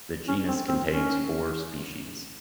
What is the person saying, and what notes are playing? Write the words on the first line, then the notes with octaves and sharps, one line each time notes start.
The genus contains four species.
C#4
C4
C4
C#4